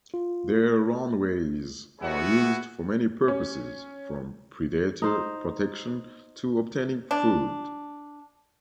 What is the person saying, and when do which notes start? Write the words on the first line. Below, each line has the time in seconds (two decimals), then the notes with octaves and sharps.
Their runways are used for many purposes, from predator protection to obtaining food.
0.14 F4
2.00 B3 E4 F#4 G#4 F#5
3.28 C#4
5.02 D#4 C5
7.11 D4